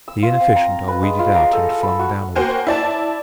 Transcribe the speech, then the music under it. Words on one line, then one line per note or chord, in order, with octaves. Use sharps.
The inefficient are weeded out and flung downward.
E6
F4
C4
A#5
B4
G#3
F4
A#5
A4
A4
B5
F#4
A#3 F#4 C5 G5 G#5
E4 D5 A5